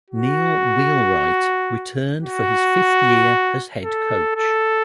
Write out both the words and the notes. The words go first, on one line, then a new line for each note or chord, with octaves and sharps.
Neil Wheelwright returned for his fifth year as head coach.
F#4
F#4
A4
A4